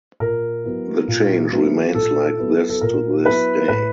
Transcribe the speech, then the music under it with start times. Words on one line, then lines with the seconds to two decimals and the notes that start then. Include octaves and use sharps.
The change remains like this to this day.
0.20 A#2 A#4
0.64 F#3 B3 E4
1.08 A#2
1.52 F#3 B3 E4
1.95 A#2 A4
2.38 F#3 B3 E4
2.70 A4
2.81 A#2 A#4
3.26 F#3 B3 E4 B4
3.68 A2 B4